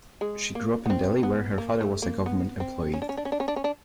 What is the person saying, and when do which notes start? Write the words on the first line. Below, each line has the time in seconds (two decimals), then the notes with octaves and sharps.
She grew up in Delhi where her father was a government employee.
0.21 G#3
0.55 A#3
0.86 B3
0.90 C4
1.23 B3
1.58 A#3
1.81 A3
2.02 A#3
2.26 B3
2.60 C4
2.94 C#4
3.02 D4
3.09 C#4
3.17 D4
3.25 C#4
3.32 D4
3.40 C#4
3.48 D4
3.56 C#4
3.64 D4